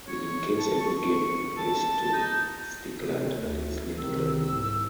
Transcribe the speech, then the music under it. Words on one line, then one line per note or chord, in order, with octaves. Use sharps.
He dedicates every game he plays to Strickland and his late grandmother.
C#5
A5
C#6
A5
D#4
C3 A3
D2 A3
C2 D#3 E6
G#2 E6